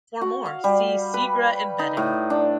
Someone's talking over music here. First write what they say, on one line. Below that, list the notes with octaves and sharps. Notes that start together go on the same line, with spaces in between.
For more see Segre embedding.
F#4
F5
G3
B4
D#4
A2
D4